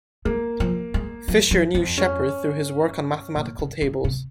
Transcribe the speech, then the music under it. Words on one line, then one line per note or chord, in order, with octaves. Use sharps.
Fisher knew Sheppard through his work on mathematical tables.
G#3 A#3
F3
G#3
F3
F3
F2
C#4
A#2
C#3
D#3
C#3